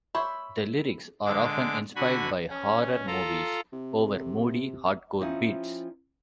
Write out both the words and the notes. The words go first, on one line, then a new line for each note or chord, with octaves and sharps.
The lyrics are often inspired by horror movies over moody, hardcore beats.
C5 C#5 E5 B5
D3 G#3 D6
D3 F#4 G#5 B5
C#4
F4 A4 A#5
C3
F3 C4 C#4 D#4 E4